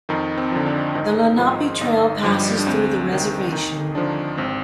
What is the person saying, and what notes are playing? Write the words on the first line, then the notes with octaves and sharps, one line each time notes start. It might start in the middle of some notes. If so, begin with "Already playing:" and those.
The Lenape Trail passes through the reservation.
F2 D#3 D#4
C4
D3 F3
D4
G#1 D#3 D#4
G#2 D#3 F3 F4
G1 D#4 D#5
G2 F3 G3 G4
D4
D2 C4
C3 D#3
D#2 D#3 D#4
D3 F3 D4
G#1 C4